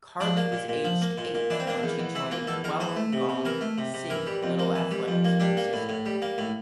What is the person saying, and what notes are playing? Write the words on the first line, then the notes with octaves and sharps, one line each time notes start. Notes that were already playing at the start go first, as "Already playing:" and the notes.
Carli was aged eight when she joined Wollongong City Little Athletics with her sister.
F3 D4
A#3
A#2
A#2
F3
A#3
A#2
A#2
E3 D4
C4
A#3 D4
E2
E2
E3 E4
A#3 F4
E2 A4
E2 A#4
E3 C5
A3
C3
C3
E3 A#4
A3
C3
C3
E3 A#4
G3
F2
A#3
E3
G3
F2
A#3
G3 D4
A#3
A2
A2
G3
A#3
A2